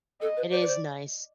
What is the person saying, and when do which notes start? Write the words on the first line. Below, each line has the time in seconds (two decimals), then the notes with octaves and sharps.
it is nice
0.21 A4 D#5
0.37 B4
0.51 C5 D5
0.62 B4
0.67 C5